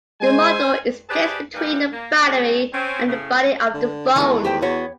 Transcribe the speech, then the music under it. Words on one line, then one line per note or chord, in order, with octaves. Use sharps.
The module is placed between the battery and the body of the phone.
G#3 C5 G#5
G4 G#4 B4 C5 D5 A5
E3 F3 G3 A#3 D#4 B4
A#3
B2 D#3 A3 C4 C#4 G#4
C4 C#4
A2 C#3
D3
E2 D#3 G#3 A3
G4 C5 G5
B3 F#4 C#5